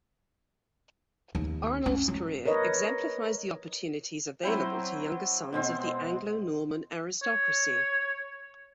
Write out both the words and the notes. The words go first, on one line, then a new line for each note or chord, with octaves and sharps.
Arnulf's career exemplifies the opportunities available to younger sons of the Anglo-Norman aristocracy.
D#2
C#4
F#3
A#4 B4 C#5 D#5
F#3 C4 E4 G5
B2 G#3 C4
C#5